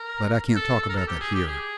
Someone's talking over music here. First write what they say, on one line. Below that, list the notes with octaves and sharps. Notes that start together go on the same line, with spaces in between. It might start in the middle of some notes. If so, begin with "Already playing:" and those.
But I can't talk about that here.
Already playing: A#4
A4
A4
A#4
A4
G4
G#4
G4
G#4